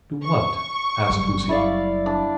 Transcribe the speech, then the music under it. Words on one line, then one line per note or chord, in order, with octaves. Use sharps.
'Do what?' asked Lucy.
C#6
F#1 G3
E4 D5 F5
D4